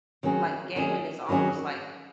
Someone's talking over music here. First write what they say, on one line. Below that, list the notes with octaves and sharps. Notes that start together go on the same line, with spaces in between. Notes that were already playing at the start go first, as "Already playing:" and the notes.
like, gaming is almost, like,
D#3 F#3 C#4 G#4
D#3 F#3 C#4 G#4
D#3 F#3 C#4 G#4